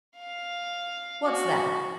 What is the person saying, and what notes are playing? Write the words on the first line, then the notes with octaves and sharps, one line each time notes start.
"What's that?"
F5
F#4